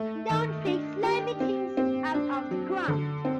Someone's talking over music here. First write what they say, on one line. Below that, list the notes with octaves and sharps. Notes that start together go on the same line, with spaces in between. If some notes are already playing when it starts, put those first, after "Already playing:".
Don't pick slimy things up off the ground.
Already playing: A3
D#3
D4
G4
C4
C4
D4
F#3
D3
C4